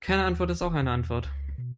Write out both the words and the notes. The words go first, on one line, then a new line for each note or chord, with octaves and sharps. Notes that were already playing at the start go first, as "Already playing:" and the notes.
Keine Antwort ist auch eine Antwort.
D#2
D1
E2
C#2
B2